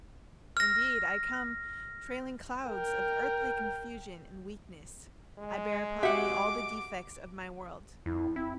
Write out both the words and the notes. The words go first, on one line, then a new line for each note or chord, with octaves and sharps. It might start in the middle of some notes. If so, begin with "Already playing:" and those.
Indeed, I come, trailing clouds of earthly confusion and weakness; I bear upon me all the defects of my world.
F6 A#6
A#4 G5
G#3
F#4 G4 E5 F#5 D6
F2 E4
C4 E4